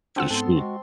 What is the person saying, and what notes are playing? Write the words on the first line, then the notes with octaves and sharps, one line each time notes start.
For sure.
C4 D4 F4 F#5 E6
G#2 B3 A4 A5 C6
G#3 F#4